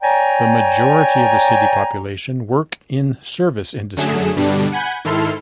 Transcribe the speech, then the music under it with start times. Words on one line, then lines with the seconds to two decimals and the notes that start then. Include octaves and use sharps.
The majority of the city population work in service industry.
0.03 C#5 D5 G5 G#5 A#5
3.97 F#2 D3 F#3 A3 G#4 E7
4.36 G2 B2 D3 G3 D4
4.72 F#5 G#5 B5 G6 G#6
5.05 G#2 D#3 E4 A4 C6 F6